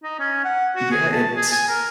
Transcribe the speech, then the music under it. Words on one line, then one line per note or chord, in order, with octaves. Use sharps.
yeah, it's
D#4
C#4
F#5
F#4
G#4
A5
G#4
G#5
A#4